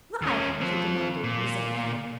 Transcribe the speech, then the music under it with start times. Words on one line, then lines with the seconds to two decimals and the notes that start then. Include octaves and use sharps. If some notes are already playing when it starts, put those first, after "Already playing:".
"Why?" she demanded, resentfully.
0.22 D#2 C#4
0.61 F3 C4
1.24 A#2